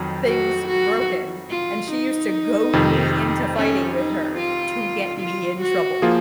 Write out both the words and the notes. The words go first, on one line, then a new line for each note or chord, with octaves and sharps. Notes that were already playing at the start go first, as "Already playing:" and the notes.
things broken, and she used to goad me into fighting with her to get me in trouble.
Already playing: F2 D#3 F#3
F#4
F#4
F4
D#4
F2 C3 D#3
C#4
D#4
F4
F4
F#4
F3 A#3 F4 G#4